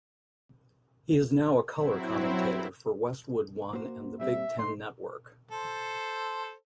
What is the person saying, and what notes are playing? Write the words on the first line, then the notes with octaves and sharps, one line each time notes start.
He is now a color commentator for Westwood One and the Big Ten Network.
F#3 C4 E4
A#3 F#4 C5
A#2 G3 C4 E5
A3 D#4 C6
A4 C5